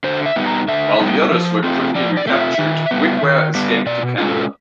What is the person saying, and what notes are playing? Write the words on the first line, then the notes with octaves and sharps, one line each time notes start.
While the others were quickly recaptured, Grigware escaped to Canada.
D3 C5
E5
G3 B3 D#4
A#5
D3 E5
G3 B3 D#4
F3
A3 C4 F4
F3 D5
D5
A3 C4 F4
E5
D#3
G3 B3
D#3
G3 B3
B2 D5
G#3 C#4 F4
A4